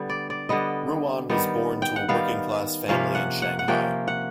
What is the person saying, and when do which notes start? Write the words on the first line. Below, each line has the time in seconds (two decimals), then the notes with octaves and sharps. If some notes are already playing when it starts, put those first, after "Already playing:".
Ruan was born to a working class family in Shanghai.
Already playing: D3 G3 B3
0.09 D5
0.30 D5
0.49 D3 G3 B3 D#5
1.29 D#3 G3 B3
1.82 G5
1.96 F#5
2.08 D#3 G3 B3 F5
2.89 C3 F3 A#3 C#4 F5
3.15 F#5
3.42 F#5
3.59 F#5
3.68 C3 F3 A#3 C#4 G5
4.08 F#5